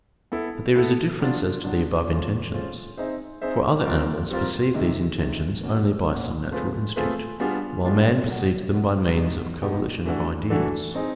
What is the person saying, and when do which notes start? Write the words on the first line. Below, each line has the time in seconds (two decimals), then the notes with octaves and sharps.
But there is a difference as to the above intentions: for other animals perceive these intentions only by some natural instinct, while man perceives them by means of coalition of ideas.
0.32 B3 E4 A4
0.76 B3 E4 A4
1.20 F#3 B3 D4 F4
1.64 F#3 B3 D4 F4
2.08 G#3 C#4 F4 A4 C5
2.52 G#3 C#4 F4 A4 C5
2.97 C4 D#4 G#4 C5 E5
3.41 C4 D#4 G#4 C5 E5
3.86 G3 C4 F4 A#4
4.30 G3 C4 F4 A#4
4.74 C3 D#3 G#3
5.19 C3 D#3 G#3
5.63 B2 F#3 A#3 C#4
6.07 B2 F#3 A#3 C#4
6.51 A3 C4 F4 G#4 B4
6.96 A3 C4 F4 G#4 B4
7.40 G3 B3 D4 F4 G#4
7.84 G3 B3 D4 F4 G#4
8.28 B2 F#3 B3
8.73 B2 F#3 B3
9.17 B2 G#3 B3 D#4 G4
9.62 B2 G#3 B3 D#4 G4
10.05 E3 A3 D4 F#4 A4
10.50 E3 A3 D4 F#4 A4
10.95 C4 D#4 G#4